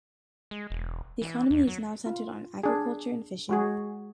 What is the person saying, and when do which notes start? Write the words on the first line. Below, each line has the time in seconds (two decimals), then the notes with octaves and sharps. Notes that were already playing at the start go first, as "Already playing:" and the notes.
The economy is now centered on agriculture and fishing.
0.51 G#3
0.70 E1
1.21 E3
1.50 E2
1.68 F#3
2.06 F4
2.64 D4 G#4
3.49 G#3 F#4 G#4